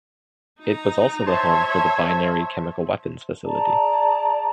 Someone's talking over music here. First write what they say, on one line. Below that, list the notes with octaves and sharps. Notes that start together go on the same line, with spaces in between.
It was also the home for the Binary Chemical Weapons Facility.
D#4 A#5
C5 C#5 E5 A5 C6
G#4 D5 A5 A#5